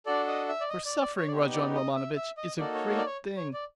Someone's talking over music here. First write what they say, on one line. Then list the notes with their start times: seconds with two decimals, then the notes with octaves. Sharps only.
For suffering, Rodion Romanovitch, is a great thing.
0.06 D4 F#4 A4 D5
0.28 D#5
0.48 E5
0.61 D5
0.70 D#5
0.85 D5
1.01 D5
1.17 C#5
1.28 D5
1.32 B3 D#4 G4 C#5
1.53 D5
1.74 D#5
1.95 E5
2.16 E5
2.37 D#5
2.58 A#3 D#4 F#4 A4 D5
2.74 C#5
2.89 C#5
2.98 D5
3.06 C#5
3.37 C#5
3.53 D5